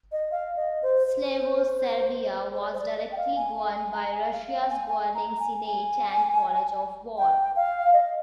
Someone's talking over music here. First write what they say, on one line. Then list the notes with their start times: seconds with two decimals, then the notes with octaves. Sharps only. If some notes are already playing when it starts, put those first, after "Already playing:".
Slavo-Serbia was directly governed by Russia's Governing Senate and College of War.
0.12 D#5
0.31 F5
0.56 D#5
0.83 C5
1.07 C5
2.52 C5
2.60 D5
2.72 C5
2.79 D5
2.98 D#5
3.12 G5
3.17 F5
3.36 G#5
3.56 G#5
3.74 G#5
3.93 A#5
4.12 G#5
4.32 F5
4.51 F5
4.61 G5
4.70 G#5
4.89 G#5
5.15 A#5
5.40 G#5
5.65 G#5
7.18 G5
7.56 F5
7.94 D#5